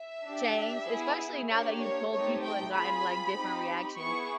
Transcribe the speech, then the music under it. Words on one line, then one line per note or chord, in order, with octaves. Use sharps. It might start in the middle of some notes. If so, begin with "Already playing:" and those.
changed, especially now that you've told people and gotten, like, different reactions?
Already playing: E5
D4 G4
B3 E4 G#4
A#3 D4 G4 C#5
C#5
A3 C4 D#4 G4 C#5
G5
C4 F4 G#4 B5
C4 D#4 G4
B3 E4 G#4 C#6